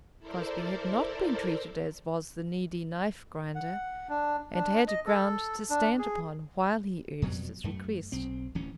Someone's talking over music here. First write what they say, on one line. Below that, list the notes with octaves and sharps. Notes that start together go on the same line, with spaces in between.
Crosbie had not been treated as was the needy knife-grinder, and had ground to stand upon while he urged his request.
E4 A4 A#4 C5 D5
F#5
D4
D4
D#5
A4
D4
G#4
F2 B2 F#3 G3
F#2 A3
B1 C4
D1 D2 E3 C#4